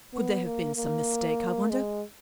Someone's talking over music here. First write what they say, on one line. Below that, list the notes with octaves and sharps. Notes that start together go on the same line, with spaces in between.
Could there have been some mistake, I wonder?
B3
A#3
A#3
G#3